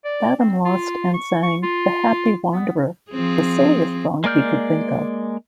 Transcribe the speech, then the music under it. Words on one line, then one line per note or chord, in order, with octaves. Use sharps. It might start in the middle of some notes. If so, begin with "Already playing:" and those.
Badham lost and sang "The Happy Wanderer", the silliest song he could think of.
D5
C4
F4
C#6
C#6
F4
B3
F3 C4 G#4
G#3 A#3 D5 F6 G6